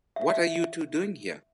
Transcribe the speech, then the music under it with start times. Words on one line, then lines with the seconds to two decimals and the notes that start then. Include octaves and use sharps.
What are you two doing here?
0.16 E5